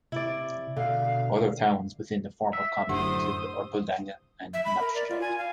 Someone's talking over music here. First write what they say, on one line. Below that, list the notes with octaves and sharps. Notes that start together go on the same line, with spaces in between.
Other towns within the former commune include Erpeldange and Knaphoscheid.
C3 E4 D5
B2 D3 F5
E5
F#2 A2 D3 G4 C5 F#5 D#6
E5
B5
A#4
D5
F4
G#5
F5